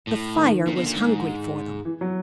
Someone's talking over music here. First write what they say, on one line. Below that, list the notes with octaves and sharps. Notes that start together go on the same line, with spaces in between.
The fire was hungry for them.
A2
D#3
A#2 D3
B2
A#2
G#2
E3
F#3